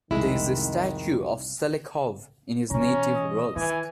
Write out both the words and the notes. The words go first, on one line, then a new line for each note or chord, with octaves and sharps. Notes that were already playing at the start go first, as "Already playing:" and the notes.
There is a statue of Shelekhov in his native Rylsk.
C2 F2 D#3 G#3 E4
B2 E3 C#4 A#5
D#5
D#3 E3 G#5